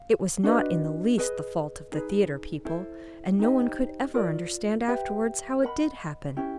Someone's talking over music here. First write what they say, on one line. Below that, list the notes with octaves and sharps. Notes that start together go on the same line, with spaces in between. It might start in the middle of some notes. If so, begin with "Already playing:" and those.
It was not in the least the fault of the theatre people, and no one could ever understand afterwards how it did happen.
Already playing: F5
D4 F#4 B4 D#5
G#4 B4 D#5
D#4 G#4 B4
E4 A4 C5
D#4 G4 C5 D#5
F4 A#4 D5
G4 B4 E5 G5
A#4 D#5 F#5 B5
C#4 E4 G4